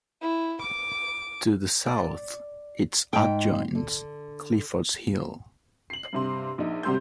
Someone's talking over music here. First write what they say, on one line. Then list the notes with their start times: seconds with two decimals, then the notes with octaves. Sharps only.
To the south, its adjoins Clifford's Hill.
0.22 E4
0.62 D6
1.86 D5
3.13 G#2 G5
3.75 D3
5.90 C7 F#7
6.13 G2 C3 C6
6.58 A#1 D#4
6.83 G#1 C3 G3 C6 E6 G6